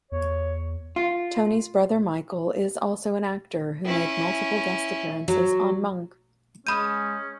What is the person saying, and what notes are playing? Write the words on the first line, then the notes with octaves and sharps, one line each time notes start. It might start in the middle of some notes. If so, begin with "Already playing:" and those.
Tony's brother Michael is also an actor who made multiple guest appearances on "Monk".
E2 C#5
F4
C#4 E4
F#3
G#3 C#4 B5 D#6 G6 D#7